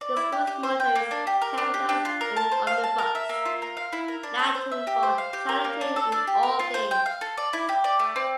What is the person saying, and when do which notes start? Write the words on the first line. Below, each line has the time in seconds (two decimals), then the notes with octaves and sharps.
The school's motto is "Caritas in Omnibus", Latin for "charity in all things".
0.01 D5
0.17 E4
0.32 G4
0.47 G4
0.63 C5
0.80 G5
0.95 A#3
1.11 D4
1.27 G4
1.42 A#4
1.58 D4
1.74 G4
1.89 D4
2.05 F4
2.21 A#4
2.36 A5
2.51 C5
2.67 F5
2.84 A5
2.98 A#4
3.15 E5
3.29 A#3
3.45 F4
3.62 A#4
3.77 F5
3.93 E4
4.08 A#4
4.23 D4
4.39 A4
4.55 C5
4.72 E5
4.87 G4
5.03 C5
5.18 F5
5.33 G4
5.49 A#4
5.64 A#3
5.81 D4
5.96 A4
6.12 D4
6.27 G4
6.43 A#4
6.59 F4
6.74 C5
6.91 G5
7.06 F5
7.21 A4
7.37 D5
7.53 E4
7.69 G4
7.84 D5
7.99 A3
8.16 C4